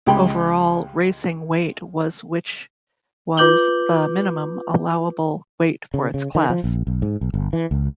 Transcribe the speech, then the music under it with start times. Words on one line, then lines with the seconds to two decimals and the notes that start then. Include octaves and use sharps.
Overall racing weight was which was the minimum allowable weight for its class.
0.06 C#2 G#3 G4 G5 B5
3.37 F4 B4 D6 G6 F#7 G7
5.94 C#3
6.14 C#3
6.35 D#3
6.50 F3
6.64 A#1
6.87 B1
7.02 G#2
7.21 B1
7.34 G1
7.53 E3
7.71 C#2